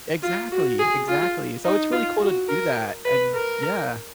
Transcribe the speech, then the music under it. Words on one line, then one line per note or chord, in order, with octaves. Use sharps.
Exactly, exactly. So, it's really cool to do that, and yeah.
F4
F#4
G#4
F4
D#4
F4
F#4
A#4
B4
A#4